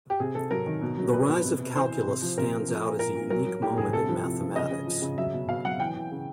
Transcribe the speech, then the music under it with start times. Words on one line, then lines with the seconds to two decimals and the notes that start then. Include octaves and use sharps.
The rise of calculus stands out as a unique moment in mathematics.
0.10 G4
0.20 C3 G#4
0.35 C3 A4
0.51 F#3 A#4
0.66 D#3
0.82 B2
0.97 F#3
1.13 B2 B4
1.28 B2
1.44 C3
1.60 C3
1.75 E3 C5
1.91 E3
2.07 C3
2.22 F3
2.38 C3 A#4
2.53 F3
2.68 F3
2.85 A#2
2.99 A#2 A#4
3.15 A#2
3.30 F#3 A#4
3.46 F#3
3.62 A2 G4
3.77 A2 G#4
3.93 C3 A4
4.09 F3
4.24 C3
4.40 F3
4.55 C#3 D#5
4.71 C#3
4.86 F3
5.02 C#3
5.17 F#3 E5
5.33 B2
5.49 B2 F5
5.65 F#3 F#5
5.80 E3 G5
5.95 E3
6.12 C#3